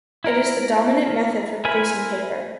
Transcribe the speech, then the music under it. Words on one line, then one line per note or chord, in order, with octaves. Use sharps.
It is the dominant method for producing paper.
E4 A#4 A#5
E4 A#4 C5 G#5 B5